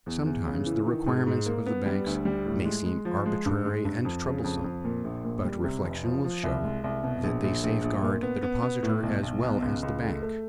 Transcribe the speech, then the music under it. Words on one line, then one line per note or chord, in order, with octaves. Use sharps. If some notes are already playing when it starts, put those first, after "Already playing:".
Sometimes the requirements of the banks may seem arbitrary and troublesome, but reflection will show that they safeguard the depositor as well as the bank.
E2
E2
C#3
E3
D#3
G#2
G#2
A#3
B3
G3
D2
G3
A2
G#3
G#3
F3
G#3
G2
G#3
G2
F2
C#3
F2
F2
A#2
A#1
A#2
G3
C3
F1
F3
F3
C2
G#3
C2
B2
A#1
A#1
A#1
A#1
A#2
B3
B3
B3
A2
B1
B1
B1
C#2
C#2
A3
A3